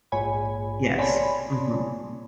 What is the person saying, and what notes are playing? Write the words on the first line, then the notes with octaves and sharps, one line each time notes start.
Yes, mhm.
A#1 G#2 C#5 G#5 B5
C#5 D5 G#5 A5 B5 C6